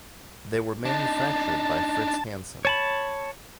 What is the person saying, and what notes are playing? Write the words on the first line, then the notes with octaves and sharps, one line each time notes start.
They were manufactured by Fritz Hansen.
D4 D#4 A5
C#5 A5 B5